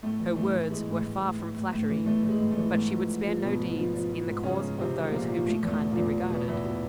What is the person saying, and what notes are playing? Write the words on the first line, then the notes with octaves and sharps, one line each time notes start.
Her words were far from flattery; but she would spare no deeds in the cause of those whom she kindly regarded.
A2 A3
E3
E3 A3
A2
E3 G#3
A2
A2
A2
A2
A2
A2
E3
E3 A3
E3
G#3
A2
A3
E3
G#2 A3
F3
G#2
F3
G#2 B2 B3
G#2
F3
F3
F3
G#2
C#3 F3 C#4
G#2
C3 F3 C4
G#2
A#2 F3 A#3
F3
B2 A3
E2
A3
B2
A#2 A#3
E2
B2
B2 B3
E2 E3 E4
B2